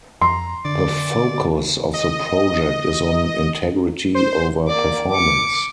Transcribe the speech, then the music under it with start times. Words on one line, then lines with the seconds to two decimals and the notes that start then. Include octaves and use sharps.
The focus of the project is on integrity over performance.
0.22 F2 A#5 C6
0.65 D3 D5
1.93 D#5
4.15 C5
4.68 A#3 D5
5.12 D6 C#7